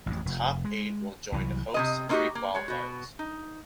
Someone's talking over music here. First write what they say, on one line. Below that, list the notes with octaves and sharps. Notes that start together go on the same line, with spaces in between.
The top eight will join the hosts and three qualifiers.
A1 F2
F1
G#3
C2 E3 F#3
C3 G#3 D#5
A#3 C4 D#4 E4 F#4 G4
A#3
G3 G#3 C#5
B2 F#4
D#4